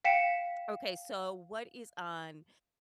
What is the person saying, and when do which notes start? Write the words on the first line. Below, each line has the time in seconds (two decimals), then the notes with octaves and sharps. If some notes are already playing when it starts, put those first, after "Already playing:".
Okay, so what is on
0.05 F5 G5 B6 C#7 E7